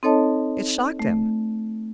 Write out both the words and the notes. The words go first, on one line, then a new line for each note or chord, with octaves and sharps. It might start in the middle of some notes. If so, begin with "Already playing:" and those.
It shocked him.
C4 D#4 A4 C#5 D#5 A5
A3